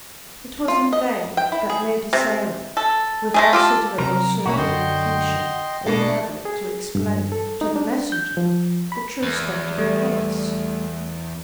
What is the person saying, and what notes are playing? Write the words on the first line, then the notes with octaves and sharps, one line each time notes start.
It was in vain that Lady Sarah, with considerable circumlocution, endeavoured to explain to the messenger the true state of the case.
F4
D#5
G5
E4
G#4
C3
A4
G#3 A3 G#4
F4 G4 A4
C3 F#3 A#4 A#5
B2 A#3 C#4 E4 F#4 B5
F#2 D3 D#5 G5 C6
B2 G#3 A#3 D4 A4
G#4
G2
A4
D#4
D4
G6
F3
B5
E2
G3 A3